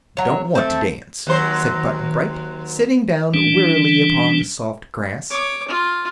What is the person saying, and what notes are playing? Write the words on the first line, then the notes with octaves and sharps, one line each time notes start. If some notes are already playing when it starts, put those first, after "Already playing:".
"Don't want to dance," said Button-Bright, sitting down wearily upon the soft grass.
F#3 C#5
A3 C4
D#2 F#3 C5
E3 G3 C#4 D4
C#5 D6
F4